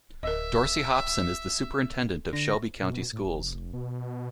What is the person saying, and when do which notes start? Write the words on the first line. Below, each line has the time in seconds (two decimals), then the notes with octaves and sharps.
Dorsey Hopson is the Superintendent of Shelby County Schools.
0.23 D1 A#4 D#5 E5
2.33 D3 A#6
2.82 B2
3.13 A2
3.27 F1
3.73 B2